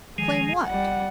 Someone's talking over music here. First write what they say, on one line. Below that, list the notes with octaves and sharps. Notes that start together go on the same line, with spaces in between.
Claim what?
D#3 F3 G#3 G#4
G#1 G3 F#5